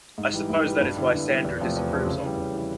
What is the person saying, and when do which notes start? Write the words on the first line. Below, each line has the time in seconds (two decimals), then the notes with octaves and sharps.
I suppose that is why Sandra disapproves of them.
0.18 G#2
0.34 E3 G3
0.50 G#2
0.66 E3 G3
0.81 G2
0.96 D3 G3 B3 E4
1.13 G2
1.28 D3 G3 B3 E4
1.45 E2
1.60 C3 F3 A3 C4
1.76 E2
1.92 C3 F3 A3 C4
2.07 C#3
2.24 E3 G3
2.38 C#3
2.55 E3 G3